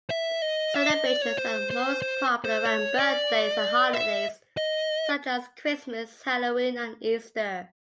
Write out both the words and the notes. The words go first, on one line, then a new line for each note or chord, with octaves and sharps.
Celebrations are most popular around birthdays and holidays, such as Christmas, Halloween and Easter.
E5
D#5
E5
D#5
D5
C#5
C5
C5
C5
C5
C#5
D5
E5
D#5